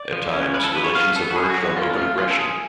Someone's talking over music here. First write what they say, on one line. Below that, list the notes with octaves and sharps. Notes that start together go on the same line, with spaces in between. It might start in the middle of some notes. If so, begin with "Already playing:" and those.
At times, relations have verged on open aggression.
Already playing: D5
F3
C#4
F3 B4
A4
F3 B4
C#5
B3 F5
B3 A4
F#4
F#3 G#4
F#4
F#3
F#4
C#4 F4
D4
A3 F4
C#4 F4
A4
F3 G#4